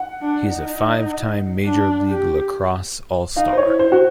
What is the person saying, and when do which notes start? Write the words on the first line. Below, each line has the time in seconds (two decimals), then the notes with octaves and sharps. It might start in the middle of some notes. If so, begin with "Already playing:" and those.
He is a five-time Major League Lacrosse All-Star.
Already playing: F#5
0.21 D4
0.50 D#4
1.65 D4
2.08 G4
3.36 D#4 F5
3.53 C5
3.57 C#5
3.65 E4
3.79 C5
3.92 F#4